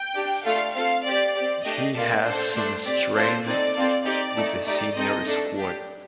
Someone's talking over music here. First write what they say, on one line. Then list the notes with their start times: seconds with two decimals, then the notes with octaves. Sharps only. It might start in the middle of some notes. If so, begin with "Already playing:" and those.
He has since trained with the senior squad.
Already playing: G5
0.15 D4 G4
0.44 A3 D4 F4 A4 F5
0.74 C4 F4 A4 F5
1.05 C4 G4 D5
1.35 C4 G4 D5
1.64 A3 D4 G4 D#5
1.95 A#3 F4 A4 D5
2.25 D4 A4 C5
2.55 A3 D4 A4
2.85 C4 G4 D5
3.15 D4 F4 A4 C5
3.45 C4 D#4 A4 D5
3.75 C4 F4 A4
4.05 C4 D#4 G4 D5
4.35 A3 D#4 A4
4.65 A3 D#4 G4 D5
4.95 C4 D#4 A4 D#5
5.25 A3 D4 A4
5.55 D4 G4